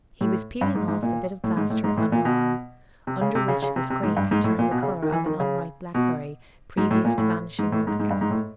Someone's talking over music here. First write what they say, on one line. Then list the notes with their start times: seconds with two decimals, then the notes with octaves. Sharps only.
He was peeling off the bit of plaster on her arm, under which the scrape had turned the color of an unripe blackberry previous to vanishing altogether.
0.21 A2
0.61 G2
0.75 G#2
0.88 G#2
1.03 A#2
1.44 A2
1.57 G#2
1.70 A2
1.84 G#2
1.97 A2
2.12 A#2
2.25 B2
3.07 C3
3.21 C#3
3.35 C3
3.48 C#3
3.62 C#3
3.76 C3
3.90 C3
4.03 G#2
4.16 G2
4.31 G#2
4.44 A2
4.59 A#2
4.71 B2
4.83 C#3
5.02 D#3
5.12 E3
5.26 D#3
5.40 C#3
5.94 B2
6.78 G#2
6.91 A2
7.05 A#2
7.18 A2
7.59 G#2
7.72 A2
7.87 G#2
8.00 G#2
8.10 G2
8.21 G#2
8.31 A2